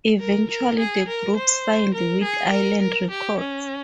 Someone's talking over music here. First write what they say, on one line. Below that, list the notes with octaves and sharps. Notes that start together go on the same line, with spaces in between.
Eventually, the group signed with Island Records.
A#4
A#4
G#4
A#4
C5
A#4
G#4
A#4
A#4
G4
C#4